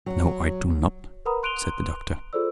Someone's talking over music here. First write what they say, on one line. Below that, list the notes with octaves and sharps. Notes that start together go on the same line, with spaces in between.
"No, I do not," said the Doctor.
F#3
A#4 B4 F#5 A#5 B5 D#6
C6 F#6 D7 D#7 F7 G7
F4 G#4 A4 C5 D5 E6